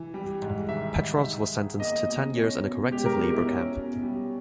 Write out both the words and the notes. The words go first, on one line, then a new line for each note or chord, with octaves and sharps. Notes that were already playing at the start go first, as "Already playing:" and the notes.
Petrovs was sentenced to ten years in a corrective labor camp.
Already playing: E3
G3
G#2
D#3 E5
G#2
D#4
G#4
A#3 D#5
B2
C#4
B2
G#3 G4
A#4
B2 G4
E4
C#4
B2
G3